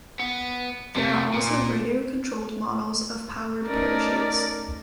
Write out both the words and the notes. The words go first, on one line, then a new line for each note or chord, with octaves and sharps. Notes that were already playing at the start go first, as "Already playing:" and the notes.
There are also radio-controlled models of powered parachutes.
B3
C3 A3
A#2
A3 C#4 D#4 A#4 D5